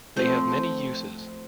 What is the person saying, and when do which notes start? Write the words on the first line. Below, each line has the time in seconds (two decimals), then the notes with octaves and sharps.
They have many uses.
0.16 F3 A3 C4 C5